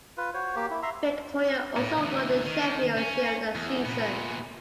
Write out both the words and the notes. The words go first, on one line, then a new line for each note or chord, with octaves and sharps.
Victoria also won the Sheffield Shield that season.
F4 B4
F#4 C5 C#5
A#3 G4
E4
E5 A#5 C6
A2
D2 E3
D#3
C#4
E2
A#2 B3